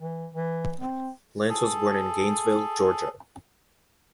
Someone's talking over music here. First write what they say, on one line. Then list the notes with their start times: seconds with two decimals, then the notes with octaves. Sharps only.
Lance was born in Gainesville, Georgia.
0.01 E3
0.34 E3
0.80 C4
1.50 G#4 A4